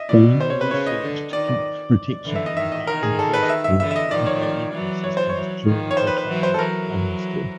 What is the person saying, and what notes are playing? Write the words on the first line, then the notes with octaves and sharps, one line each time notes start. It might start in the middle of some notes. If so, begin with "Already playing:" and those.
Garner researched crop protection and biodiversity in agroecosystems during her time at Rothamsted.
Already playing: D#5 E5
B2 D5
C5
C#5
B4
C#3 C#5
D#5
D3
D#3 D5
D5
D3 E3
E5
D#5
D#3 E5
D#5
D#3 A#4
G#4
A4
B4
D#5
E5
E5
D3 E3 E5
E5
D#5
D#3 F3 D5
C#5
D5
E3 F#3
C#5
C5
C#5
E3 F#3
D#3 F3
C#5
C5
B4
B4
E3 F#3
C5
A4
E3 F#3 A#4